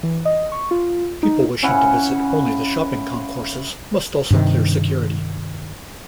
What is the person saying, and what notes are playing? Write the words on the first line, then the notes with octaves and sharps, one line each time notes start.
People wishing to visit only the shopping concourses must also clear security.
E3
D#5
C#6
F4
D#4
C#3 C#4 E4 F#5
G2 C3 D#3